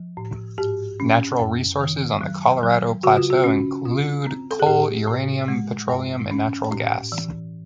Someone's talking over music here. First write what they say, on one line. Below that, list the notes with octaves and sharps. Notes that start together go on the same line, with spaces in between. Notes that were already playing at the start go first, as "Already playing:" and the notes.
Natural resources on the Colorado Plateau include coal, uranium, petroleum, and natural gas.
Already playing: F3
A2
G#2 G4
C#4
F#2
D#3
F#3
F#3
C#3 F#4
F4
F#4
C#4
F4
C4
A4
G#4
A2 G4
A2
G#3
G2
C#4
A2
E3